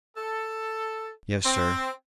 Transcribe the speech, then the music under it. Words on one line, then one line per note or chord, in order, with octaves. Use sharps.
"Yes, sir."
A4
C4